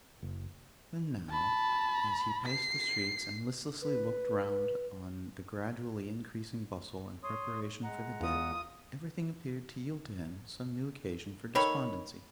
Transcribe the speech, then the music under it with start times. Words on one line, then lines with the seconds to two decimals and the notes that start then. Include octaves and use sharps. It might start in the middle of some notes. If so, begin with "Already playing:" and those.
And, even now, as he paced the streets, and listlessly looked round on the gradually increasing bustle and preparation for the day, everything appeared to yield him some new occasion for despondency.
0.23 F#1
1.30 A5 B5
2.46 C7
3.82 B4
7.24 C#5 C6 D#6
7.84 G#3 F#5 A#5
8.20 E2 F4 D#6
11.55 D#3 A4 C#5 B5